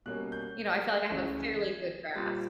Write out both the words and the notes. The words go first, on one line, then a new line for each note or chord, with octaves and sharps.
you know, I feel like I have a fairly good grasp.
B2 G3 A#3 C#4 F#6
G6
C#2 C#3 E3 A3 C#4
G#6
A#2 G3 C4 A6